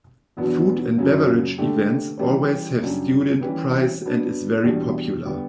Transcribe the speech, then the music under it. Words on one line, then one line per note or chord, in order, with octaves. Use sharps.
Food and beverage events always have student price and is very popular.
E2 B2 F#3 B3 D4
F#2 C#3 F#3 C#4
D3 A3 D4 G4
E3 G3 C#4 G4 B4
F#2 C#3 G3 D4 G4
E3 G3 C#4 G4 B4
F#3 B3 D4
E2 B2 G3 D4 G4
D3 G3 B3